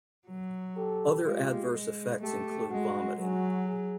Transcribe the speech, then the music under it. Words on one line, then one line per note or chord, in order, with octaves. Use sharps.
Other adverse effects include vomiting.
F#3
G4 A4
G#3 F4 G4
G#3
A3 G4 A4
G#3 F#4 G#4
F#3 F#4 G#4
G#4